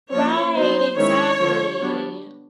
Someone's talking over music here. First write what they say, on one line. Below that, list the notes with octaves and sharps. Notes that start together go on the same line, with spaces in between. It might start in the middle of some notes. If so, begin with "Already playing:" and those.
Right, exactly.
F3 A#3 C#4 C#5
F#3 B3 D#4 C5
D#3 G#3 C#4 E4 C#5
D3 F3 G#3
G3 B3 D4